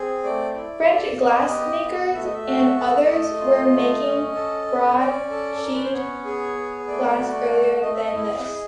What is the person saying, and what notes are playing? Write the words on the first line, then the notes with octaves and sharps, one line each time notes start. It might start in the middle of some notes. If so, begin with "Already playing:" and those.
French glass-makers and others were making broad sheet glass earlier than this.
Already playing: C4 G#4
A3 D5
E4
A4
B3 D#5
G4
B3
A3 E5
D#5
E5
F#4
A4
D5
A3 D#5
F4
A3
C#4
A4
C#4
C#5
C#4 D5
A4
A4
C#4 A#4
B4
C5
B3 C#5
G#4
B3
A3 D5
F#4
A3
A3 D#5
E5
D#5
E4
G#4